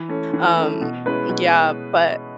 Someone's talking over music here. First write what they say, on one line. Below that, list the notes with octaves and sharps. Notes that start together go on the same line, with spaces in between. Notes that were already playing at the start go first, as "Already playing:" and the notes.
Um Yeah, but
Already playing: E3
A3 C#4
E3
A3 C#4
B2
G#3 C#4 E4 B4
B2